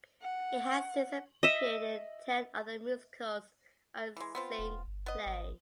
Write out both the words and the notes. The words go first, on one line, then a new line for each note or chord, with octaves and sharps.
He has since appeared in ten other musicals and cinq plays.
F#5
D#5 E5
E3 G#3
B3 C4 F4
E1
G1
B3 D#5
G#1